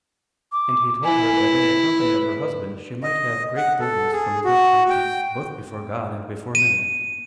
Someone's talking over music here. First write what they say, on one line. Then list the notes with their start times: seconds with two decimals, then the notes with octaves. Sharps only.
And he told her, that in the company of her husband she might have great boldness from a good conscience, both before God and before men.
0.52 D6
1.04 E4 G#5
1.36 B4
2.00 B4
3.02 D#5
3.57 F#5
3.80 A4
4.13 G#4
4.45 F#4
4.90 G5
6.55 D#7